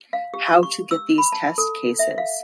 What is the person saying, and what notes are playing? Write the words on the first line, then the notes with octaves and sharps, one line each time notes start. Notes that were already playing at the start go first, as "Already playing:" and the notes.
How to get these test cases?
F5
G4
C#6
E6
B5
A5
A4
E5
F5